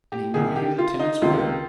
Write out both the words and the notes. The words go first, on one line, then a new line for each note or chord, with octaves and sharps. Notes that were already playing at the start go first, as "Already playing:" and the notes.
"And he knew who the tenants were?"
G4
C2 C3 D#3 G#4
G4
F4
D#4
C#2 C3 D#3 F4